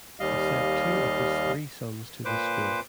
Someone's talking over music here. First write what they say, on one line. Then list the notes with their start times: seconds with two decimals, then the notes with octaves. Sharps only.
He sent two of his three sons to the school.
0.20 D#2 G3 D#5 F5
2.25 A#2 B4 C5 D6